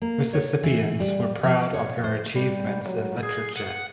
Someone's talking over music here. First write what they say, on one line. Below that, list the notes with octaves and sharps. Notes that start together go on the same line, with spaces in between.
Mississippians were proud of her achievements in literature.
A#3
C#5
E3
G3
F3
C#5
C5
G3
F#3
G#4
F#5